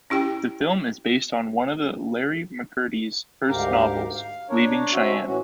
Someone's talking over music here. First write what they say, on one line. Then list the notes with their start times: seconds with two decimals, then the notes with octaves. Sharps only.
The film is based on one of Larry McMurtry's first novels, "Leaving Cheyenne".
0.10 C#4 E4 G4 G5
3.48 D2 G#2 G4 A#4 F5
4.15 F5
4.50 D4 A#4 C#5
4.93 C3 D#3 C4 C#4 F#4 E5
5.27 A2 E3 C#4 F#4